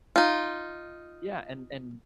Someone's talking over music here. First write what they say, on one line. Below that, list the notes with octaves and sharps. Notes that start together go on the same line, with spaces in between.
yeah, and and
D#4 F4